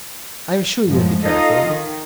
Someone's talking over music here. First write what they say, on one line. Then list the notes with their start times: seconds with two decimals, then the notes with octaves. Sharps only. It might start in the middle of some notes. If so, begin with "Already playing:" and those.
I'm sure you'll be careful.
0.86 F#2 A2 F3 G#3
1.24 D#4 F4 A4 D#5 F5
1.65 D#3